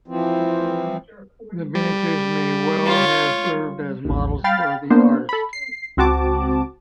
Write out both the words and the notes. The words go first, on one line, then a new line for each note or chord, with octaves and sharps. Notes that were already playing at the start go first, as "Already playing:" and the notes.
The miniatures may well have served as models for the artist.
E3 F3 C4
G3
F4 C#5
A1 D#2
F5 G5 B5 F6 A6
A#3 B3 D4 C5
A4 B5
C7
C#2 C4 F#4 A5 D6